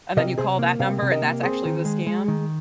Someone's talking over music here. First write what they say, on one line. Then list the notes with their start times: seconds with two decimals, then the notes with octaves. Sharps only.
and then you call that number and that's actually the scam?
0.17 C3 A#4 D#5
0.38 C3 G#4 C5
0.59 A#3
0.80 C3 C5 F5
1.02 C3
1.12 A#4 D#5
1.22 A#3
1.43 C4 G#4 C5
1.65 D#3
1.85 G#3
2.07 G#3
2.28 D#3